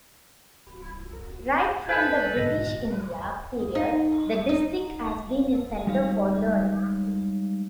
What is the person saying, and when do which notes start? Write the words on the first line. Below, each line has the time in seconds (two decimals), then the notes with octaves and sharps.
Right from the British India period the district has been a center for learning.
1.89 A4 B4 C5 G#5 G6
2.36 G#2 B2 D3 D#5 A#6
3.75 D#4
4.49 D#4
5.87 G3 G#3 D#4 G4 C#5 F5